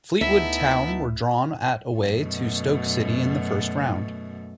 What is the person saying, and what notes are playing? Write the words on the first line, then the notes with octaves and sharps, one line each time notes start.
Fleetwood Town were drawn at away to Stoke City in the first round.
D2 A3 B3 D#4 E4 E5 A5
F#2 B2 A3